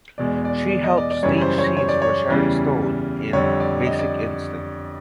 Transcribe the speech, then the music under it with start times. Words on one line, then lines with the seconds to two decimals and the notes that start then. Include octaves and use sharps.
She helped stage scenes for Sharon Stone in "Basic Instinct".
0.18 E2 B2 G#3 D5
0.45 D5
0.70 D5
0.84 D#5
0.97 D5
1.11 D5
1.23 F#2 C#3 E3 G3 C#5
1.41 C5
1.58 C#5
1.77 C#5
1.89 D5
2.02 C#5
2.29 E2 C#3 E3 G3
3.33 F2 D3 G3 C#5
3.60 D5
3.87 D#5
3.99 D5